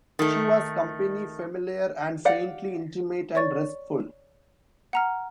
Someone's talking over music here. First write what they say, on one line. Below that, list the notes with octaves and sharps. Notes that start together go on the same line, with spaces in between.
She was company, familiar and faintly intimate and restful.
D#3 A3
G4 D5 F5 F#5
C#5 D5 C#6 A6
F#5 A#5 F6